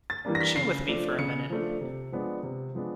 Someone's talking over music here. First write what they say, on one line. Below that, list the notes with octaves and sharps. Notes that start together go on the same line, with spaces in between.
Chill with me for a minute.
A6
E3 G3 A#3 D4
A#6
B6
C#3 C7
F3 A3 D4
C#3 C#7
F3 A3 D4
C3
F3 G#3 B3 D4
C3
F3 G#3 B3 D4